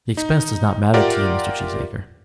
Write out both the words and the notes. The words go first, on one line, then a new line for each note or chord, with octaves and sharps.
"The expense does not matter to you, Mr. Cheesacre."
D#4
F4 G4 A#4 D5 E5 F#5